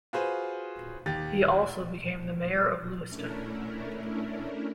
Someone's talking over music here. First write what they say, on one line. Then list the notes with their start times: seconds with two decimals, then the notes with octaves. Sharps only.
He also became the mayor of Lewiston.
0.13 F4 F#4 G#4 B4 C5
1.06 D#2 G4 A6
3.08 A3 C#4 D4 E4 A#4